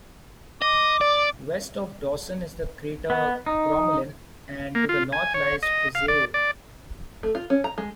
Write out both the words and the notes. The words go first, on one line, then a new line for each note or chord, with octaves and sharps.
West of Dawson is the crater Crommelin, and to the north lies Fizeau.
D#5 D6
D5
B3
D#4
A#3
F4
G#5
C#5
D#5
F5
D5
D5
A3
F4
C#4
A#5
G#3